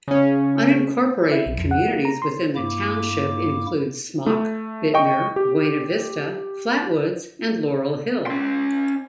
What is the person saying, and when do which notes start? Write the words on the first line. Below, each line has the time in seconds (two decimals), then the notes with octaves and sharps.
Unincorporated communities within the township include Smock, Bitner, Buena Vista, Flatwoods, and Laurel Hill.
0.08 C#3 C#4
1.32 E4
1.46 B1
1.58 F2
1.71 F#5
1.88 A#3
2.05 A#5
2.22 C6
2.56 G2 A#3 E4 D6
4.26 A3
4.94 D#5 G5 C#6
5.36 G4
8.26 C#4 C6